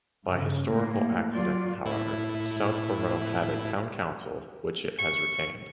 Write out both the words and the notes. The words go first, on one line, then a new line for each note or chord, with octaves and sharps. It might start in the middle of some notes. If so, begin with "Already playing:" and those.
By historical accident, however, Southborough had a Town Council, which it has retained.
G2 C#3
A2 A#3
F#3 F4 D5
A2 E4
C#6